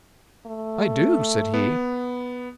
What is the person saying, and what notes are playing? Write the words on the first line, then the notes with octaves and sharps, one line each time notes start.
"I do," said he.
A3
B3